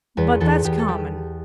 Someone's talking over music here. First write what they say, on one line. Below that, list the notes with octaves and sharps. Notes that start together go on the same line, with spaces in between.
'But that's common.
E2 B4
E2 A4
E2 G4
A4
G3 G4